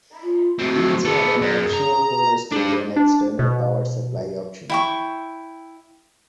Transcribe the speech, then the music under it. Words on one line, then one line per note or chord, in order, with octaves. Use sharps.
Each had an optional phono stage and external power supply option.
F4
A2 C4 F#4
B3 G#4 A4
F#2
A#5
D4 G4
D4
B2
E4 G5 C#6